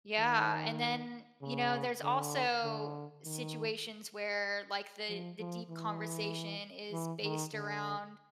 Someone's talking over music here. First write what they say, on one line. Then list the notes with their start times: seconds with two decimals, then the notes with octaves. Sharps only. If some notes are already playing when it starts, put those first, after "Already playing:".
Yeah, and then, you know, there's also situations where, like, the the deep conversation is based around,
0.19 D#3
1.41 C#3
2.03 D3
2.64 D3
3.25 D#3
5.09 F3
5.39 F3
5.70 E3
6.92 E3
7.23 D#3
7.53 D3